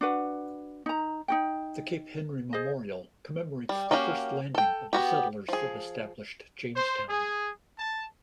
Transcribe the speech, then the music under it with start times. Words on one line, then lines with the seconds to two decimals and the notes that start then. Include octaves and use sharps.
The Cape Henry Memorial commemorates The First Landing of the settlers that established Jamestown.
0.01 D4 F#4 B4 F#5
0.86 D#4 A#5
1.28 D#4 F#4 G5
2.53 G#4 C5 D#5
3.69 G3
3.91 A#3 C#4 F#4 G4 F5
4.55 A4 G5
4.93 B3 F#4 G4
5.48 F3 G#4
6.76 C5
7.09 G#4
7.78 A5